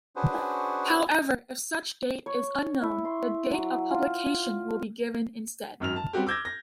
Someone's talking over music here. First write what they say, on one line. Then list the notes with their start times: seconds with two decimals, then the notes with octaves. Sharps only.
However, if such date is unknown, the date of publication will be given instead.
0.16 C#4 D4 F#4 G#4 B4 C5
2.26 C#5
2.82 E4
3.05 C6
3.53 F#3
3.91 F4
5.80 G#1 F#2 F6 F7
5.96 A5
6.13 G3 C4 C#4 F#4 G4
6.27 D6 E6 G6 G#6 A#6
6.45 A#6